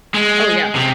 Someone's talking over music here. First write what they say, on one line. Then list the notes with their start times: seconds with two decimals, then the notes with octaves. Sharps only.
Oh yeah.
0.15 G#3
0.76 C3